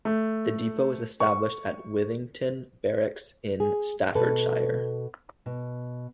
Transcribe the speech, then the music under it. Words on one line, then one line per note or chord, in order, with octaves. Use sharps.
The depot was established at Whittington Barracks in Staffordshire.
A3
C#6
G#4
B2 A4 B4
B2